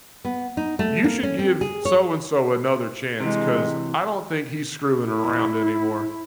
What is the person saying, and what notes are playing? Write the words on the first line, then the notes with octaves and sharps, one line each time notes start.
you should give so-and-so another chance, 'cause I don't think he's screwing around anymore.
B3
D#4
A3
A#3
C#4
C4
G#4
C#5
C3 E3 G#3
E4